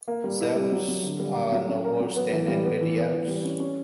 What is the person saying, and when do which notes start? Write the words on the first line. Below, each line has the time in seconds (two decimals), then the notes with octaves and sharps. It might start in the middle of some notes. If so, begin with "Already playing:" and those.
Sailors are no worse than anybody else.
0.08 A#3
0.24 G3
0.41 E4
0.56 G3
0.72 F#3
0.88 F#3
1.03 D3
1.20 G3
1.36 A#3
1.52 F#3
1.69 C#4
1.85 A#4
2.00 F#3
2.16 B3
2.32 E3
2.48 G3
2.64 B3
2.81 E3
2.97 B3
3.12 E3
3.28 G3
3.45 C#4
3.60 C#4